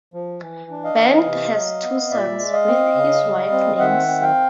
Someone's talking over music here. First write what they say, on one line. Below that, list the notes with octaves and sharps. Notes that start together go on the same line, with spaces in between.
Bent has two sons with his wife Nancy.
F3
E3
D4
D#5 F5
E3
C3
F#3
B3
A#2 D5 E5
G#3
D#5 F5
C4
C#3
G3
C4
D#3 E5 F#5
C4
F5 G5